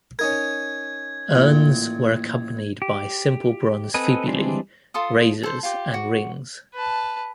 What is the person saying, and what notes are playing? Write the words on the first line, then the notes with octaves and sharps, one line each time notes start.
Urns were accompanied by simple bronze fibulae, razors and rings.
C#4 D#4 A#4 G#6
A1 A#2
G4
C4 A4 B4 D#5 G#5
E3 G3 G#3 C4 D4
F4 A4 C6 D#6
A4 C5
F4 G4
F#4
B4 A5